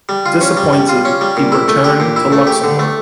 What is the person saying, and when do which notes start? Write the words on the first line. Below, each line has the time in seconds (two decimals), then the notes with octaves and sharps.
Disappointed, he returned to Luxembourg.
0.09 G3
0.26 F4
0.41 C#4
0.57 G3
0.73 G3
0.89 F4
1.05 C#4
1.21 G3
1.37 A#2
1.52 E4
1.68 A3
1.84 G4
2.00 A#2
2.16 E4
2.32 A3
2.47 G4
2.64 D3
2.79 A3